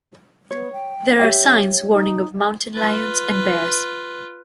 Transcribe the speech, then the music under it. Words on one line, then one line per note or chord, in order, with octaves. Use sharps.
There are signs warning of mountain lions and bears.
B3 C#5
G5
G4 C#5 E5 G5
D#4
F4 B4